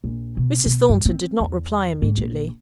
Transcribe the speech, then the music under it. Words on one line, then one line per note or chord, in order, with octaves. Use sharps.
Mrs. Thornton did not reply immediately.
A#1
B2
B2
G2
C4
E2
G#2
A#1